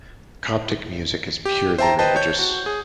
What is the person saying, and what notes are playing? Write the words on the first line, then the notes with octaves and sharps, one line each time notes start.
Coptic music is purely religious.
G4
C5 E5 G5 A5 A#5
B4 C5 D#5 G5 A5
C#5 G6
F#4
G#4